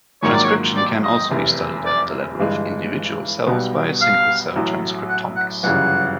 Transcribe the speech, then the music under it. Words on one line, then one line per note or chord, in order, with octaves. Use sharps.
Transcription can also be studied at the level of individual cells by single-cell transcriptomics.
A#1 G#2 D#3 F#3 A#3 C#5
D5
C#5
D5
D#5
F1 E2 C3
D5
G1 G2 E3 G#3
B1 B2 G3 B3
F5
A1 A2 F#3
F#5
F#5
G1 F#2 C#3 E3 G3 F#5